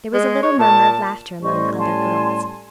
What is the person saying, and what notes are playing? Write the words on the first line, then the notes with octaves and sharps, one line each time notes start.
There was a little murmur of laughter among the other girls.
G#3
C#5
A#2 A5
A2 G3 C#4 C5 D#5 C#6
G#5 A5 C6